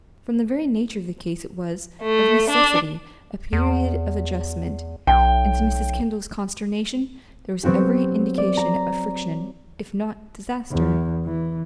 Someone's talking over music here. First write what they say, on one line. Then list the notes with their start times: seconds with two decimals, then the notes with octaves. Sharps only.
From the very nature of the case it was, of necessity, a period of adjustment; and to Mrs. Kendall's consternation there was every indication of friction, if not disaster.
2.02 A3
2.50 D4
3.53 E2
5.07 B1 G5
7.63 F#3 B3 C4 F#4 G4
8.38 D5
8.57 A#5 A#6
10.71 E2
11.25 E3